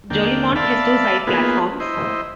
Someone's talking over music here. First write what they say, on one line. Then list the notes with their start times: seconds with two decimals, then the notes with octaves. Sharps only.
Jolimont has two side platforms.
0.10 D#2 D3 A#3 G5
0.55 D5 E5 F5 A5 B5
1.27 A#3 B3 D#4 F4 G#4 B4
1.80 E4 C5 D#5